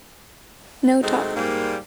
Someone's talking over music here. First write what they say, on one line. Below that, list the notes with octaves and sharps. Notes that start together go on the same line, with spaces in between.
No talk.
C3 F#3 G#3 A3 C4 D#4
G#2 G3 A#3